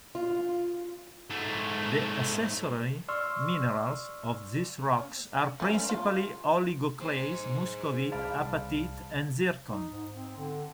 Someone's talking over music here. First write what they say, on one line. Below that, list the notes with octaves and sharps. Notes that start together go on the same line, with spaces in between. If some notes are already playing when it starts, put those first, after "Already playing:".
The accessory minerals of these rocks are principally oligoclase, muscovite, apatite and zircon.
F4
G#2 A3
D5 C6 C#6 E6 F6
A3 C#4
F4
G#4 C5
C2 D5 F5 A5 B5
D#4
G#2
C4
D3